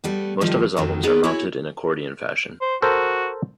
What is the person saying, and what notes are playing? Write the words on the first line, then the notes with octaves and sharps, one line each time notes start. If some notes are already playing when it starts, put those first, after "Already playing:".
Most of his albums are mounted in accordion fashion.
G3 A3 B3
A2 D#3 F3 G3
F2 D#3 F#3
B3 D#4 G#4 B4 D5
E4 F#4 C#5 G#5
C5
F#4 A4 A#4 C5